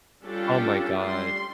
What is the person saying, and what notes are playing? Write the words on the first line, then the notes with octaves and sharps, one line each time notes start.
Oh my god.
G3 C#4 D4 F4 G4 A4
G3 C6